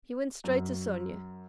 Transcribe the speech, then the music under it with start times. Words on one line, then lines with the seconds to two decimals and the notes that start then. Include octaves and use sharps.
He went straight to Sonia.
0.44 F#2